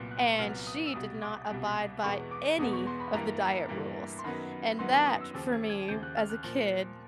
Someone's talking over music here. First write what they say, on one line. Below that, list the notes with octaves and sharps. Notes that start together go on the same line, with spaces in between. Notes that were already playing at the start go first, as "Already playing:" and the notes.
and she did not abide by any of the diet rules. And that, for me as a kid,
Already playing: C2 A#2 F#3 B3 F#6
F#6
C2 A#2 F#3 B3 F6
D#6
E6
C2 B2 G3 D#6
D6
C2 B2 G3
E2 B2 G#3 B3 C#6
D6
E2 B2 G#3 B3 D#6
C#6
C6
B5
G2 E3 G3 A#3 A#5
G2 E3 G3 A#3
C6
F#2 D#3 F#3 B3 B5
F#2 D#3 F#3 B3 C6
D6
D#6
E6
D#2 C#3 F3 E6
G#6
G#6
D#2 C#3 F3 G6
F#6
F6
F#6
A#2 F3 A#3